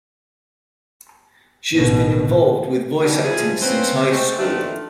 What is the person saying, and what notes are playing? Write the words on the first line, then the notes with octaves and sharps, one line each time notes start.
She has been involved with voice acting since high school.
A1 B2
B2 F#3 G3
E3 F3 G3 A#3 G#4
A#3 C4 C#4 A4 B4 C5
G#3 A3 C4 F#4 G4 A4
D#3 F3 A3 B3 D4